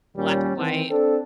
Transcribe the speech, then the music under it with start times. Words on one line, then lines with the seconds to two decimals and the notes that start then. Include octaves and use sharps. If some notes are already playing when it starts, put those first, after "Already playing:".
black and white,
0.16 D#2 A#2 G3 C#4
0.57 D#3 E3 C4
0.89 C4 D4 A4